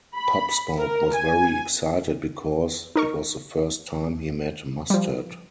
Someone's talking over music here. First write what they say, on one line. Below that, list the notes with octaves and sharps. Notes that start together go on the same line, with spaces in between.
Pop Smoke was very excited because it was the first time he met Mustard.
B5
A#4
G#5
D#4 A#4 C#6
F3 G3